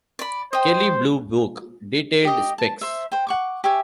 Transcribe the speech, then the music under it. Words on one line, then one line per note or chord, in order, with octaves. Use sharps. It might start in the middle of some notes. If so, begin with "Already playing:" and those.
Kelly Bluebook Detailed spec's.
D5 B5
C5 D#5 G5
G4 D#5
A5
C5 E5
C5 G5
F#5 C#6 D6
G4 C#5 E5 G#5